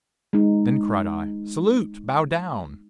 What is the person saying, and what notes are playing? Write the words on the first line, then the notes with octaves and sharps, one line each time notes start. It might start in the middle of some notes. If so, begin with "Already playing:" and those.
Then cried I, "Salute! Bow down!"
G#3 D#4